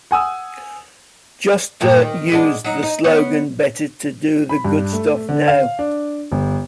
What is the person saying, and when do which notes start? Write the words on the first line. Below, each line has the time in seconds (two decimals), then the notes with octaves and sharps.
Josta used the slogan better do the good stuff now.
0.11 F#5 G#5 D#6 E6
1.81 G2 A#2 F3
2.02 D#3
2.32 G#3 B3 D4
2.64 F#3 D#4
2.83 D#4
3.04 B3 C#5
4.49 B5
4.65 G2
4.93 A3
5.29 D3
5.48 F5
5.79 D4
6.32 G1